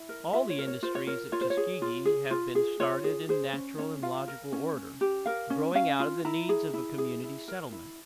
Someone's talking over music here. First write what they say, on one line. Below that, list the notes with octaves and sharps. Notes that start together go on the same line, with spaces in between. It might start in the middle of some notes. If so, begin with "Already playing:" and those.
All the industries at Tuskegee have been started in natural and logical order, growing out of the needs of a community settlement.
Already playing: E4
A#4
F4 E5
C#5
A#4
C#5
F4 C5
C#5
A#4 C#5
F4 C#5
C5
C#5
G#4
F4
G#4
F4
G#4
F4 C#5
G#4
G#4 C5
C#4
C#4 C#5
F4 F5
A#4
C#4
C#4
G4
A#4 F5
C#4
C#4 F5
F4
E4 A#5
G#4
E4
G#4
E4
A#4
E4